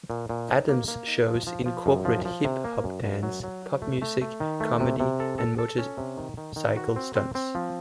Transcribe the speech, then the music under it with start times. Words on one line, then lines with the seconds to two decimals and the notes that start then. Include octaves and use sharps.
Adams' shows incorporate hip hop dance, pop music, comedy and motorcycle stunts.
0.10 A#2
0.29 A#2
0.48 D#4
0.69 A#3
0.88 A#3
1.08 D#4
1.27 F3
1.47 F3
1.66 F3
1.86 F#2
2.05 F3
2.25 F3
2.44 C3
2.64 A#3
2.84 F#2
3.04 F#2
3.23 F#3
3.44 F#3
3.63 F#4
3.82 A3
4.02 A3
4.21 A3
4.40 D#3
4.60 A3
4.80 C3
5.00 C3
5.20 A4
5.39 A4
5.58 A4
5.78 C#4
5.97 C3
6.17 D#3
6.37 D#3
6.56 D#3
6.77 F#4
6.96 C4
7.15 C4
7.35 C4
7.55 F3